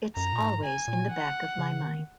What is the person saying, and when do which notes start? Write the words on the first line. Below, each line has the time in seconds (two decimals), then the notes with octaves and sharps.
It's always in the back of my mind.
0.16 F#2 A#5
0.33 A#2
0.40 G#2
0.64 G#5
0.88 A#2
1.12 F#5
1.58 C#3
1.82 D#3